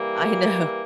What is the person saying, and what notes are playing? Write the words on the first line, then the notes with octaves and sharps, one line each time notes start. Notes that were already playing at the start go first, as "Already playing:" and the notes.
I know.
Already playing: E3 G3 A#3